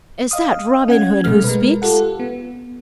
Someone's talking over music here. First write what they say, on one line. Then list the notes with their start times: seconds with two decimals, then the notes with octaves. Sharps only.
"Is that Robin Hood who speaks?"
0.31 D#5 F5 D#6
0.88 C#4 F#5 G#6
1.24 B2 G3 A3 F6
1.44 G#3 A#4 B4
1.82 F4 G4 A4 F#5
2.20 B3